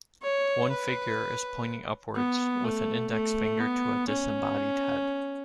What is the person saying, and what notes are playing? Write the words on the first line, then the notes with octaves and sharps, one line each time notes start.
One figure is pointing upwards with an index finger to a disembodied head.
C#5
B4
B3
A3
A3
B3
C#4